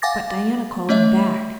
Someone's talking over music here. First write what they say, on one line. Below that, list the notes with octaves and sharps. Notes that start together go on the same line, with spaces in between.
But Diana called him back.
F5 F#5 G#5 D6 A6 A#6
A3 C#4 C#5 D#5 E5